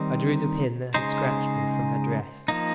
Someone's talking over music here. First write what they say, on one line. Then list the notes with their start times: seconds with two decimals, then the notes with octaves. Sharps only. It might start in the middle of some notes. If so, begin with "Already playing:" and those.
I drew the pin that had scratched me from her dress.
Already playing: D#3 G3 C4 D#4
0.94 C#3 G#3 D#4 C5
2.48 F3 A#3 D#4